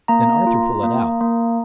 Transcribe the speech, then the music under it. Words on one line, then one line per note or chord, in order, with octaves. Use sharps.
Then Arthur pulled it out.
A#3 A#5
F4
A#3
A#3